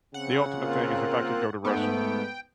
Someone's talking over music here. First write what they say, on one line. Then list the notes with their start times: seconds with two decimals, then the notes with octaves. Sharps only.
the ultimate thing is if I could go to Russia.
0.14 C#3 C4 F#5
0.54 A#3 C4 F4
1.65 G#2 A3 B3 G5